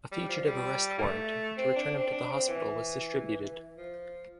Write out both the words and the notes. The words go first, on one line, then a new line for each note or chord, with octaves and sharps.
A fugitive arrest warrant to return him to the hospital was distributed.
G3
F3
G3
A#3
A3
C4
D4
C4
D4
C4
E3
F3